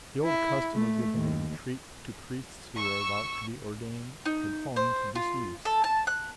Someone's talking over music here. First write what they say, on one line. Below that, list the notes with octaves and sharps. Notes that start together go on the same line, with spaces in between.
The old custom of giving a retreat to priests who were about to be ordained had fallen into disuse.
E4
A3
D#2
C#6 E6
D#4
C5
F4
A4
A5
F#6